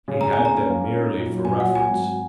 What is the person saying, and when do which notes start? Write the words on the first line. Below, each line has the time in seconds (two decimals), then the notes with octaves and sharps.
He had them merely for reference.
0.08 C#3
0.21 C#3 A#5
0.33 G#5
0.38 D#2
0.45 A#5
0.54 C#4
0.69 A#3
0.84 C#4
0.99 D#4
1.15 A#2
1.30 F#3
1.45 A#2 G#5
1.60 F#3 F#5
1.75 F#3 G#5
1.91 G#1